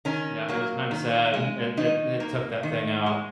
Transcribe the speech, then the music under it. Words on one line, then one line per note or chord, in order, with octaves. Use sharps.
Yeah, it was kinda sad. It it it took that thing out.
D#3 C#4
F#3 A#3
D#3
G#3
D#3 D#4
A#3
D#3
G#3